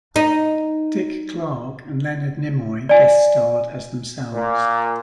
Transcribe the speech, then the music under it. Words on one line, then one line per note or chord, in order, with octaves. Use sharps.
Dick Clark and Leonard Nimoy guest starred as themselves.
D#4
D5 G#5
A#2